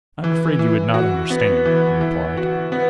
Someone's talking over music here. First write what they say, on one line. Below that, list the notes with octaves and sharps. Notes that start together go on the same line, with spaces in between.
"I am afraid you would not understand," he replied.
E3
E3
F#4
B3
E3
E3
F#4
B3